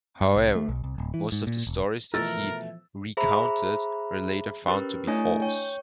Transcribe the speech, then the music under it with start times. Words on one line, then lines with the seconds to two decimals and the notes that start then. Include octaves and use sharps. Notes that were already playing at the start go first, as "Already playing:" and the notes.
However, most of the stories that he "recounted" were later found to be false.
0.21 G2
0.36 C2
0.55 A3
0.69 B1
0.84 C2
0.98 D1
1.14 E3
1.32 G#2
1.47 A#2
1.67 E1
2.14 B2 E3 F3 A3 A#4 E6 A6
3.17 G#4 C5 E5 A#5 B5
4.67 C#4 G4 A#4 B4
5.07 A3 D4 E4 C#5 D#5 G#5
5.42 C#5 G5